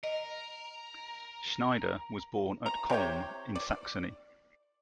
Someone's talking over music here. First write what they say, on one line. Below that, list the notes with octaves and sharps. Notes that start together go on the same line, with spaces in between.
Schneider was born at Collm in Saxony.
A#4 D#5
A#5
C3 G4 C#5 G5
D5